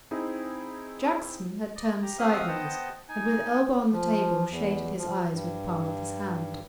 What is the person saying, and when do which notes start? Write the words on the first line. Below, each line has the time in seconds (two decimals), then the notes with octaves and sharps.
Jackson had turned sideways, and with elbow on the table shaded his eyes with the palm of his hand.
0.11 C4 D#4 E4 G#4
1.75 D5 D#5
2.02 G4 A#5
2.19 C4 F#4 E5 F5 D#6 F6
2.48 B3 C5 D#5 F#5 G5 A5
3.09 D#4 G#5
3.92 F3
4.50 E2
4.98 F3
5.33 G2